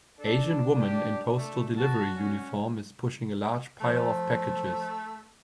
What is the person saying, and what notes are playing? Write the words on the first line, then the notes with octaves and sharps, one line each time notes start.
Asian woman in postal delivery uniform is pushing a large pile of packages.
D4 A4
G4
A3
F#4 A5
C#4
F3 A3